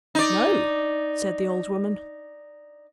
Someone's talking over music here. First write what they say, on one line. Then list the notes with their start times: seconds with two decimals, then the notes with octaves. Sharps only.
"No," said the old woman.
0.15 D#4 D5